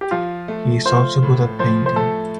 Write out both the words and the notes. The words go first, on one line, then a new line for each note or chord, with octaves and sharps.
He is also good at painting.
G4
F3 F4
A3
F4 C5
A2
F3 C5
C5
A3 A4